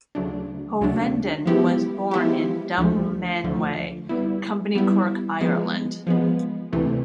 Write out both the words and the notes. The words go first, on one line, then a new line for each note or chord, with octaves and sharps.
Hovenden was born in Dunmanway, Company Cork, Ireland.
D2 C#3 F#3 A3 D4
D2 C#3 F#3 A3 D4
F3 G#3 B3 E4 G4
F3 G#3 B3 E4 G4
D2 D3 F3 A3
D2 D3 F3 A3
G3 B3 E4
G3 B3 E4
F3 G#3 B3
F3 G#3 B3
D2 C3 E3 A3